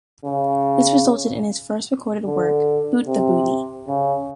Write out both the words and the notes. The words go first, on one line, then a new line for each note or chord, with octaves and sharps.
This resulted in his first recorded work, "Boot the Booty".
C#3
D3
C3
C#3